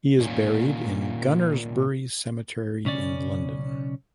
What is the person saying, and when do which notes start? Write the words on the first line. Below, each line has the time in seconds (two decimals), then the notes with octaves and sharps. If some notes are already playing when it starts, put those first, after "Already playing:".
He is buried in Gunnersbury Cemetery in London.
0.20 A#2 D#3 C#4
2.85 B1 C#3 C#4 D5